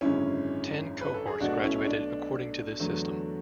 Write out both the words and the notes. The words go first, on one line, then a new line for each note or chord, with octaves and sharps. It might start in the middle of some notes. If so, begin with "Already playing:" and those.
Ten cohorts graduated according to this system.
G#1 F#2 D3 G#3 C#4 E4
B4
A4
G#4
B1 B2 A3 D4 F#4
C#4 E4
E4
D4
E2 D3 F#3 A3